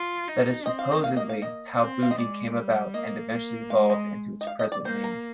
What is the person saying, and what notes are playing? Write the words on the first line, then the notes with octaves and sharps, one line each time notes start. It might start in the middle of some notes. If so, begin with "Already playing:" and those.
That is supposedly how "Boo-dee" came about and eventually evolved into its present name.
Already playing: F4
D#4
C4 D#5
F5
D#5
A#3 F5
D#5
F5
D#5
C4
F5
D#5
G#3 D5
G3
A#3 D#5
A#3
G#3 F5
D#5
D#5
F5
D#5
D5
A#3 C5
A#4